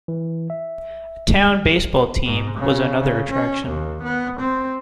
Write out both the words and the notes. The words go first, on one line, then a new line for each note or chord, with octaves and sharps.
A town baseball team was another attraction.
E3
E5
G#2
C#3
C#3
C#4
D#2
B3
C4